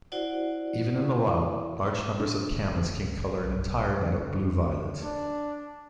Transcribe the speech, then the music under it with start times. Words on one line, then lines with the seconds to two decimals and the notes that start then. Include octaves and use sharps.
Even in the wild, large numbers of camas can color an entire meadow blue-violet.
0.12 E4 F#4 C5 D5 F#5
2.20 D4
2.52 D3
2.93 C#2
3.23 G1
3.43 B1
4.01 D3
4.36 F2
4.64 C2
5.02 D4